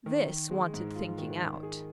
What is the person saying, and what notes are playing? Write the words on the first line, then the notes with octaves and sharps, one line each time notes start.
This wanted thinking out.
D#3
D#3
G#3
G#2
F4
D#3
D#3
G#4